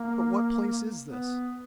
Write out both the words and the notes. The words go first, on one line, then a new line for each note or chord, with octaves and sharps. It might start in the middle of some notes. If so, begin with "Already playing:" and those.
"But what place is this?"
Already playing: A#3
B3